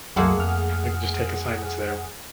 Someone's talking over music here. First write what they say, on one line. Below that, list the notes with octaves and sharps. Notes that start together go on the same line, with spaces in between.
I can just take assignments there,
C2 F#2 F#3 A3 A#3 G#4 C5 F#5
F2 F6